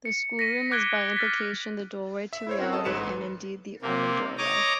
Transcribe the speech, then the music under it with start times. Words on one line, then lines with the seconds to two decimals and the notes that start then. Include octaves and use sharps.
The schoolroom is by implication the doorway to reality, and indeed the only doorway.
0.05 C#7
0.39 A#6 B6 C#7 D#7
0.71 D6 F#6 G#6 D7 G7
1.16 F6 A6 B6
2.33 E5
2.47 E4 C5 C#5
2.58 C4 C#4 F#4 A#4
2.73 A4 D#5 A5
2.85 A1 G#2 B4 C#5 C#7 E7
3.82 C3 A#3
4.38 C#5 D#5 A#5 D6